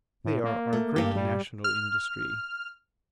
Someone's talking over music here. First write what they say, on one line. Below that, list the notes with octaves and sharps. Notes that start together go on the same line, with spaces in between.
"They are our great national industry."
A2
A#3
A3
G2 G4
G3
F6